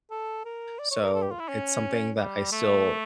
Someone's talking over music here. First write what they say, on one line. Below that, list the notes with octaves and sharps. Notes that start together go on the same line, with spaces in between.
So, it's something that I still
A4
A#4
D5
C#5
A#4
A4
G4
F4
E4
C#4
G3
A3